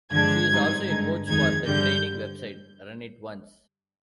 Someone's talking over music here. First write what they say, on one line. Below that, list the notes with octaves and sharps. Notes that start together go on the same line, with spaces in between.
She is also a coach for the training website, Run It Once.
G2 D3 F3 G#3 D4 G#6
G#2 G3 C4 D#4
G2 D3 G#3 D#4
F2 D#3 G#3 D#4 G#6
G2 D3 G3 G6